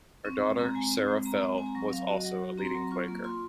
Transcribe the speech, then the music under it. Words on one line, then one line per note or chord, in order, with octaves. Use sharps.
Her daughter Sarah Fell was also a leading Quaker.
C4 C#6
G#3
C4 A#5
A#5
G#3 G#5
C4
G#3
C4 A#5
G#3
C4 G#5
A#5
F#3 C#6
F#3 F5
F#4 D#5
F#3 F#5
F#4
C4 A#5
C6
A#5
F#3
F4 C#6
A#3
F4 C6